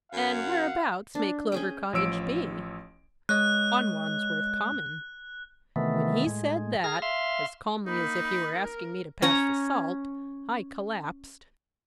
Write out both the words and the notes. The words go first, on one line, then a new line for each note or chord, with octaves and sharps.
'And whereabouts may Clover Cottage be?' 'On Wandsworth Common.' When he said that, as calmly as if he were asking me to pass the salt, I collapsed.
F#2 F5 F#5
D4
C#4 G#4 G5
A1 F3 C#5 E6 D7
G#3 C#5 D#5 F#6
C3 D#3 E3 A3 B3
A2 G#3
G#4 F6 A#6
E5 F5 C6
A#3 D#4 B5
B5
A#4
C#4 C#5 A#5